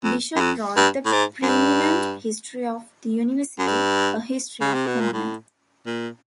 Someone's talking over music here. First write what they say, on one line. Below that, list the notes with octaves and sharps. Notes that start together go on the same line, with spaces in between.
Bishop wrote the preeminent history of the university, A History of Cornell.
F2
F#2
F2
G2
A2
G#2
F#2
G2
F#2
G2
C#3
C3
B2
A#2
A2
A#2